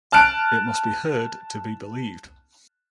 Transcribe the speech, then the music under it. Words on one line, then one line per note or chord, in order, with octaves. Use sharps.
It must be heard to be believed.
A5 F6 F#6 D7